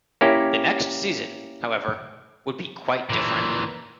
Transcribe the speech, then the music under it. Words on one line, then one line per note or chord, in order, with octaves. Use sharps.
The next season, however, would be quite different.
A#3 C#4 E4 G4
A#2 E3